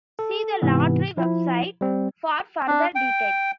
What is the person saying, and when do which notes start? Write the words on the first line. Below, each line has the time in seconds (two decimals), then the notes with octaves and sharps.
See the lottery website for further details.
0.19 A4
0.62 G#2 C3 E3 B3
1.17 F3 E4
1.81 G3 C4
2.68 D4
2.95 G5